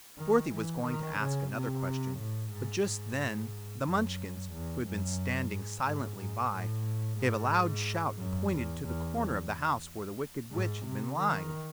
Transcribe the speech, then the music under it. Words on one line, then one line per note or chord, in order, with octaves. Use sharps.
Dorothy was going to ask another question, but just then the Munchkins, who had been standing silently by, gave a loud shout and pointed to the corner of the house where the Wicked Witch had been lying.
D#3
E3
D#3
C#3
C3
A2
G#2
G#2
F#2
E2
F#2
G#2
G#2
G#2
A2
G#2
F#2
E2
E2
G#2
C3
D#3